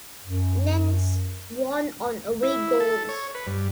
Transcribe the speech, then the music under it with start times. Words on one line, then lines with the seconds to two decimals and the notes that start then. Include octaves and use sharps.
Nantes won on away goals.
0.23 F#2
2.43 E4
2.80 A4
3.09 C#5
3.35 B4
3.47 G2